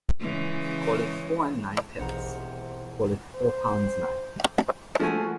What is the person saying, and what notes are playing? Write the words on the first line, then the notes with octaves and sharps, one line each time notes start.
Call it four and ninepence — call it four pounds nine.
C#3 E3 G#3
E1 A#1 C3 F4 C5 F#5 A#5
C5
F3 A3 A#3 F4 F#4 G#5